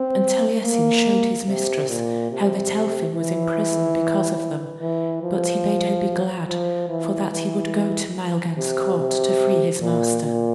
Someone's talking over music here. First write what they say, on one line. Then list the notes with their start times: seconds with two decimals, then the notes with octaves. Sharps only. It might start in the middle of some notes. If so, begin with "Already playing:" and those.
And Taliesin showed his mistress how that Elphin was in prison because of them; but he bade her be glad, for that he would go to Maelgan's court to free his master.
Already playing: C4
0.63 A#3
1.48 C3
1.89 A#2
2.31 C3
3.14 E3
4.81 E3
5.23 F3
6.48 F3
6.89 E3
7.32 E3
8.57 C3
8.99 C3
9.81 A#2
10.24 A#2